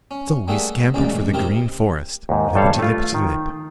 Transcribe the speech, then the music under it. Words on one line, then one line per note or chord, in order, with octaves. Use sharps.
So he scampered for the Green Forest, lipperty-lipperty-lip.
C#4
G3 A3 A#3 G#4 E5 F#5
A1 F#2 A#2 G#3 A#3 D5
C3 C4 D#4 E4 G4 A#4
D#2 G#2
G2 G3 A4 C5 C#5 F5
A3 F4
D#3